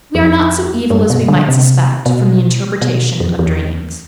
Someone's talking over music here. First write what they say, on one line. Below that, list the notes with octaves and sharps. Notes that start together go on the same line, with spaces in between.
We are not so evil as we might suspect from the interpretation of dreams.
F2
G2
B2
D3
C3
B2
B2
F2
E2